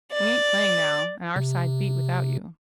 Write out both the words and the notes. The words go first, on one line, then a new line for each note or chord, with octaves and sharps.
"We ain't playing now, and our side beat without you."
D5
C3